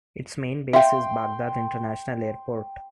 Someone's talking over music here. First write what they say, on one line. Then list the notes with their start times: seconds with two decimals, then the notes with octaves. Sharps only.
Its main base is Baghdad International Airport.
0.73 E5 F5 G5 C6